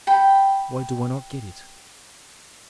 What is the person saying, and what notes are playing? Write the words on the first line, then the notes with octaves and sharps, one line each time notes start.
"Why do I not get it?"
G5 B5